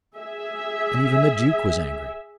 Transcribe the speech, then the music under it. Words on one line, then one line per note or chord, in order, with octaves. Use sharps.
And even the Duke was angry.
G#4 E5